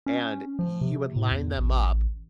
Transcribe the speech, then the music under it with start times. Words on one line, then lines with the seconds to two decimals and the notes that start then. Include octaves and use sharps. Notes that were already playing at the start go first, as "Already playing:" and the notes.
and you would line them up,
0.06 C#4
0.59 F3
0.81 C3
1.16 A2
1.31 E2
1.58 A1